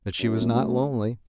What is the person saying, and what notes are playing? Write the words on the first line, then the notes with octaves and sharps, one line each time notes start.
But she was not lonely.
F#2
B3
F#2 A3